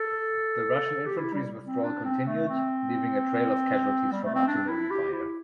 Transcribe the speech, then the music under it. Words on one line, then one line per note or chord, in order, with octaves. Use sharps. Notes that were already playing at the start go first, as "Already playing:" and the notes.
The Russian infantry's withdrawal continued, leaving a trail of casualties from artillery fire.
Already playing: A4
G4
E4
G3
C4
D4
C4
A3
C4
G3
A3
C4
D4
E4
G4
E4